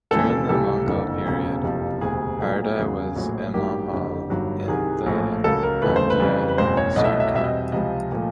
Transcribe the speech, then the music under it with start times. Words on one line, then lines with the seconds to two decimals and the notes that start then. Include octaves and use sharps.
During the Mughal period, Harda was a mahal in the Handia sarkar.
0.11 D#2 C#3 E3 G#3 C4 A4
0.30 A4
0.49 C#2 C3 E3 G3 A4
0.87 F#1 F2 D3
1.25 E1 D2 C#3
1.63 F#1 F2 C3 F3
2.01 E1 D2 C3 G#4
2.39 B1 A#2 F#3 A3
2.77 E2 C#3 F#3 A#3
3.16 A#1 A2 F#3
3.54 A1 G2 D#3 F#3 A#3 G4
3.92 F#1 F2 D3
4.30 G1 G2 D#3 F#3
4.68 C2 C3 D#3 G#4
5.06 A#1 A2 F3 A3
5.44 C#2 C#3 F#3 A#3 A4
5.63 A#4
5.82 F1 D#2 C#3 E3 A3 B4
5.96 C5
6.10 B4
6.20 F2 C#3 E3 G3
6.48 B4
6.58 F#1 E2 B2 G#3 C4 C5
6.77 C#5
6.96 C2 B2 F#3 A3 D#5
7.04 E5
7.12 D#5
7.20 E5
7.28 D#5
7.34 E2 B2 G3 C4 E5
7.44 D#5
7.72 C#2 C3 F3 G#3 D#5
8.12 A#2 F3 A3